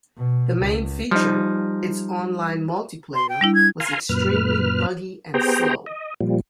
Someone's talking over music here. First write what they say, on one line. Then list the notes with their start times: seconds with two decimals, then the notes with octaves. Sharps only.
The main feature, its online multiplayer, was extremely buggy and slow.
0.18 B2
0.61 C#2
1.11 F3 G3 D#4
3.15 C6
3.29 G5
3.41 G3 D4 E4
3.55 G#6
3.80 F5 G#5 A#5 C6
4.09 F#2 A#2 B4 F6
5.34 B3 G4 G#4 C5 G5 A#5
5.86 D#5
6.21 A#2 F3 G3